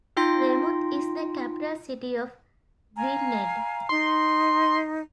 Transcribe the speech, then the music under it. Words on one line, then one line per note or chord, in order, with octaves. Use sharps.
Rhemuth is the capital city of Gwynedd.
D#4 F4 G5 C6 A#6
F5 G#5 A#5
D#4 C6